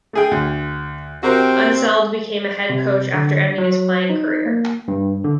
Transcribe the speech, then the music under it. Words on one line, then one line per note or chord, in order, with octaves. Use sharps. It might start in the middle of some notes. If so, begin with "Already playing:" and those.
Unseld became a head coach after ending his playing career.
A3 G#4 G5
D2
C3 C4 F#4 A#4 C5
C3
D3
F#3
D#4
A#3
G2
D3